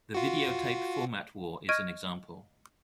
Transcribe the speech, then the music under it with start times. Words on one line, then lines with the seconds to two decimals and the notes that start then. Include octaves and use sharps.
The videotape format war is an example.
0.14 F4 F#4
1.69 D#5 C#6 F6 G#6 D7 D#7